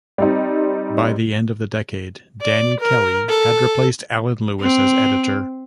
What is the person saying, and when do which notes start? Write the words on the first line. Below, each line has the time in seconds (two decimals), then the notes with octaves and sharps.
By the end of the decade, Danny Kelly had replaced Alan Lewis as editor.
0.18 G3 C4 D#4
2.42 D5
2.80 A#4
3.29 A4
4.61 C4